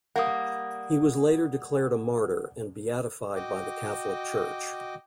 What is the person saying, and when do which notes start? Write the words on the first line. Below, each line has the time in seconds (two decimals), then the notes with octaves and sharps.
He was later declared a martyr and beatified by the Catholic Church.
0.16 G3 A#3 F#5 D#6
3.35 F#4 D#5 G5 D6